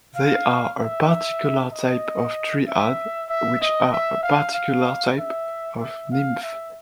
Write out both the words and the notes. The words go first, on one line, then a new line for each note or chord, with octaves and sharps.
They are a particular type of dryad, which are a particular type of nymph.
F5
E5
D#5
E5
E5
D#5
E5
F5
F5
E5
E5
F5
E5